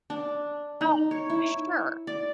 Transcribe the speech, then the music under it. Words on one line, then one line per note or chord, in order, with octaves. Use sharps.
Oh, for sure.
D4
D#4
C#5
E4
D5